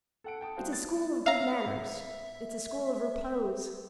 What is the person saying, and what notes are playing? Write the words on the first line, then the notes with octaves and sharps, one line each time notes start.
It's a school of good manners; it's a school of repose.
A4 F#5 D7
G5 A5 D#6
G3 E4 F#4 C5 F5
A6
E5 F5 A#5